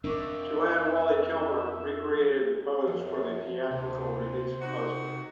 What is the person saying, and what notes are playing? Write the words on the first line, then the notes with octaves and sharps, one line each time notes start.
Joanne Whalley-Kilmer recreated the pose for the theatrical release poster.
F2 D4 A#4 E5 C#6 D6
F#2 F3
D2 C3 C5
D#4 F#4